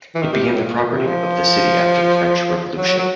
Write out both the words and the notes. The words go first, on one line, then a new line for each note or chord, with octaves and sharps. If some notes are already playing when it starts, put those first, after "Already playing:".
It became the property of the city after the French Revolution.
E3
D#3
C3
A#2
A2
A#2
A#2
C3
F3
F#3
F#3
F#3